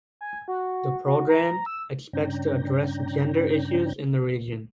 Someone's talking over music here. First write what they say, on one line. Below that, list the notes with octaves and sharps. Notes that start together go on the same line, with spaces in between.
The programme expects to address gender issues in the region.
G#5
F#4
F#4
A#5
E6
G2 C#3 C#4 D4 G5 A#5